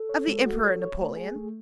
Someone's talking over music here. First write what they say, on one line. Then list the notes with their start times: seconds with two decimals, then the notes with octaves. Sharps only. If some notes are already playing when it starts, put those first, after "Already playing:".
Of the Emperor Napoleon?
Already playing: A4
0.09 C#5
0.28 G#3
0.46 F#4
0.64 C#5
0.82 C#5
0.99 A3
1.17 G#4
1.36 A3